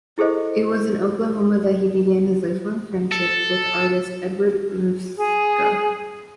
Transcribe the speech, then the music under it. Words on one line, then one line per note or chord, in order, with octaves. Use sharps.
It was in Oklahoma that he began his lifelong friendship with artist Edward Ruscha.
E4 G#4 A4 C5 D#5
A4
G#4